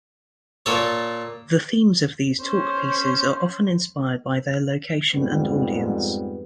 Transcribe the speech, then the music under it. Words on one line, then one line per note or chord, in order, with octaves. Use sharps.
The themes of these "talk-pieces" are often inspired by their location and audience.
A#2 A4 C#5
C#4 C5
F2 G#2 G3 B3